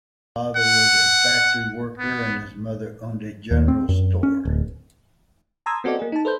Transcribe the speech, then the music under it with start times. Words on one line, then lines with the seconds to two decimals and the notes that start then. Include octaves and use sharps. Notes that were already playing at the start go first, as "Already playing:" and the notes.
His father was a factory worker and his mother owned a general store.
0.56 F#5
1.98 B3
3.51 D#2
3.68 C4
3.89 F#2
4.23 C#4
4.45 D1
5.66 A5 A#5 C6 D#6 E6 G#6
5.84 B3 C4 F#4 A4 D5 D#5
5.99 A#3 G#4
6.12 D#4 A5
6.25 A4 B4 C5 G6